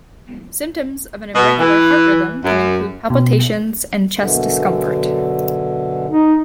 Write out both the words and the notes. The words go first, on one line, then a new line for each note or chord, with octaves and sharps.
Symptoms of an irregular heart rhythm can include palpitations and chest discomfort.
B2
E3
F#2
B2
F#2 B2 D3
D#4